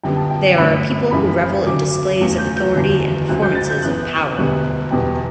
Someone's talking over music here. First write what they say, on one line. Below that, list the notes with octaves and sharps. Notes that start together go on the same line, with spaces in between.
They are a people who revel in displays of authority and performances of power.
F#2 D3 G3 B3 G5
A5
G5
G1 F#2 D3 A3 B5
F#1 F#2 C#3 E3 G3 B5
D2 C#3 F#3 D6
E2 C#3 F#3 A3
G6
G6
F#1 E2 D3 F#3
D2 C#3 F#3 F#6
G6
A6
G6
F#2 E3 B3 F#6
E1 D2 D3 G3 B3 F#6
E1 E2 B2 G3 B3 G5